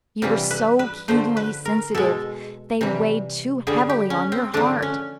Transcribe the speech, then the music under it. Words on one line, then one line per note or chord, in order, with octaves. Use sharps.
You were so keenly sensitive--they weighed too heavily on your heart.
C3 E3 G3 F4
B4
B4
D3 F3 A3 C5
B4
A#4
B2 G#3 A4
C3 E3 G3
D3 G3 G#4
G4
C#4
C4
D3 F3 A3 D4
C#4